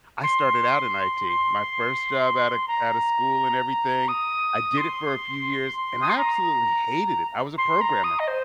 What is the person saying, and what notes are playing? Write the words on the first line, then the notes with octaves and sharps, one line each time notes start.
I started out in IT. My first job out of c out of school and everything. I did it for a few years, and I absolutely hated it. I was a programmer.
C6
C6
A#5
D#6
C6
D#6
C6
A#5
C6
A#5
D#6
D#5
C5